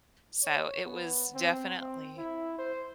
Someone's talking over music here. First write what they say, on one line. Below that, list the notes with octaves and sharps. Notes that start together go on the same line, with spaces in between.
so it was definitely
C#5
B3
C4
C4
E4
C5